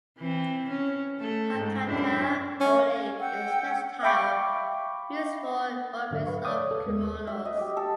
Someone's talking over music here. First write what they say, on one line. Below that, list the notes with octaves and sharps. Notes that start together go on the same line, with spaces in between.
Hakata ori is a textile used for obis of kimonos.
E3 C4
C#4
A3 A4
G#2
F#2 D4 E4
C#4
F#5 G5 E6
E5 F5 G5 B5 C#6 D6
G#2 D3 F#3 E5
B4 F5 C#6
C#5 D5 D6 D#6
A4
D#2 G#3
E5
D#5
G4
A4